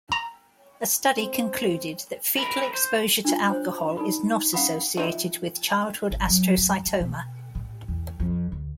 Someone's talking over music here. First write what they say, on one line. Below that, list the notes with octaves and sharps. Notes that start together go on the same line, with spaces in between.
A study concluded that foetal exposure to alcohol is not associated with childhood astrocytoma.
A#5
C4
A#4 B4
C5
D4 F4
C5 C#5
D#4 A4 D5 B5
C#4 F5 F#5 B5 D#6
F3 D#4 E4
G#1
F#3
F#2
F#2
B2
A2
E2
F2
D2